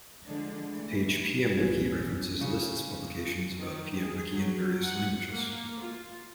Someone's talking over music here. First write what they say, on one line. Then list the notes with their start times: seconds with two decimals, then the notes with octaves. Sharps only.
The page PmWiki References lists publications about PmWiki in various languages.
0.24 D3 F3 G#3 D4
0.68 E3 A3
1.57 B1 A2 E3 C#4 G#6
2.41 C#3
3.59 D#3
3.99 G#4
4.32 F#3
4.84 F#5
5.32 A#3
5.80 F4